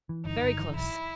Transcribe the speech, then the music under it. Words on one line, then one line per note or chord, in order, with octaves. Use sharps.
Very close!
E3
G1 D#4
G1
E3
B1 E4